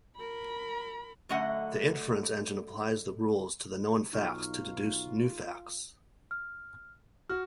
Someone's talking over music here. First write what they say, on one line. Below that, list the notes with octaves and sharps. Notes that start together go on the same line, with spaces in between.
The inference engine applies the rules to the known facts to deduce new facts.
A#4 B5
F#2 D3 A3 D#5 F#5
B1 D#4 F4 C#6 F6
F6
F#4 F6